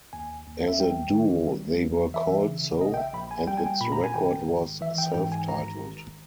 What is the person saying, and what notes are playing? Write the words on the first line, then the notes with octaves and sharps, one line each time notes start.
As a duo they were called So, and its record was self-titled.
D#2 G#5
D#2
E5
G3 G5
D#3
G3
E2
E3 E5
C#3
A#1 D#5
G5
E5
A#1 B5
G#5
G3 G5
G#5
G5
A#2 B5
A#5
G#5
G#1 G5
G#1
E3 E5
G5
G#2 G5
G#5
G#1 A#5
G#1